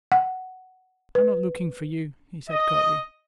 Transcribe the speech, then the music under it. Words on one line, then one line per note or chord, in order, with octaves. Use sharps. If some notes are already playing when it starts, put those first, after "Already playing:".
"I am not looking for you," he said curtly.
F#5
B4
D#5